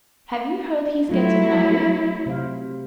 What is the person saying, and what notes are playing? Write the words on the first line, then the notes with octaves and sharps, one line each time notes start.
Have you heard he is getting married?
F#3 A3 C4 E4 F4
C3 C5 F5